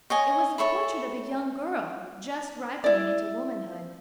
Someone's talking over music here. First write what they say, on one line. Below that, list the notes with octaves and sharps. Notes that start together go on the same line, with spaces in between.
It was the portrait of a young girl just ripening into womanhood.
C#5 D#5 G#5
A4 C#5 E5 B5
E4 D5